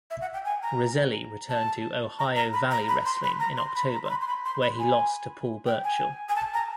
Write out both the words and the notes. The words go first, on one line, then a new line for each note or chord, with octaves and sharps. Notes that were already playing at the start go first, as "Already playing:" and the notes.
Roselli returned to Ohio Valley Wrestling in October where he lost to Paul Burchill.
E5
F#5
G5
G#5
A#5
A5
A#5
A#5
B5
A#5
B5
C6
B5
A#5
C6
B5
A#5
C6
B5
C6
B5
C6
B5
G#5
G5
G#5
G#5
A5
A#5